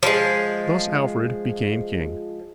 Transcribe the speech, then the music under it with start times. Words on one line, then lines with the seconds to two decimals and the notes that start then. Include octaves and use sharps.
Thus Alfred became king.
0.03 F3 G#3